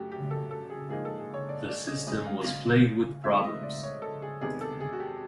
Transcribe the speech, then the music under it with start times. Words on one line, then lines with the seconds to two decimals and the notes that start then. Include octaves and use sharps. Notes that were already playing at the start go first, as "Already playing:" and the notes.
The system was plagued with problems.
Already playing: F#2 C#3 F#3 A3 F#4 G4
0.12 G4
0.31 A4
0.51 A4
0.70 G#4
0.89 G#2 F3 A#3 D#4 G#4
1.05 A4
1.19 G#4
1.34 C#5
1.49 D5
1.69 D5
1.87 D#5
2.07 G#2 E3 G#3 C#4 D#5
2.27 F5
2.46 F5
3.24 G#2 F3 A3 C4 D#4 E5
3.44 D#5
3.63 D5
3.84 C#5
4.02 A4
4.22 G#4
4.41 E2 C3 D#3 G#3 B3 G#4
4.61 A4
4.80 G#4
4.93 F#4
5.00 G4